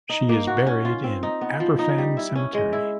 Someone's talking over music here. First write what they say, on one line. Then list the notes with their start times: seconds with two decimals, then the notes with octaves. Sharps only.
She is buried in Aberfan cemetery.
0.09 D#4
0.29 A#3
0.47 F#4
0.67 C#4
0.85 F4
1.04 C4
1.23 D#4
1.41 B3
1.60 F3
1.79 D#4
1.98 G3
2.17 E4
2.35 C#4
2.54 G#3
2.73 E4